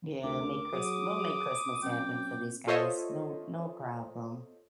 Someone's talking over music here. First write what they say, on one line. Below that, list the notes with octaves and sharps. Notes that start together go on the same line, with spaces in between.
Yeah. Make Chris we'll make Christmas happen for these guys. No no problem.
D2 A#4 D6
F#3 G#4 D#6
F#2 C4 G5
F4 A4 C5 C#5 D#5 E5